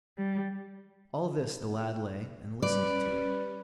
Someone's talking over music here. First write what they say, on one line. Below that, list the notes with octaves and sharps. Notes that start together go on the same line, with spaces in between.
All this the lad lay and listened to.
G3
G3 C#4 B4 D5